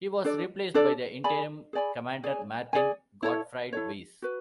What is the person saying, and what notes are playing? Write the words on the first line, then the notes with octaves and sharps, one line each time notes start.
He was replaced by the interim commander Martin Gottfried Weiss.
D4 A4 D5
D4 A4 D5
G#4 D5 G#5 B5
G#4 D5 G#5 B5
G#4 D5 G#5
G#4 D5 G#5
E4 A4 C#5
E4 A4 C#5
F#4 B4